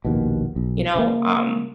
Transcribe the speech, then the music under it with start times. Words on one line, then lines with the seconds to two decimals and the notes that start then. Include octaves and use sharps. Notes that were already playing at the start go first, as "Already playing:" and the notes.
you know, um,
0.05 A#1 D#2 B2
0.56 B1
0.95 C#3 A#3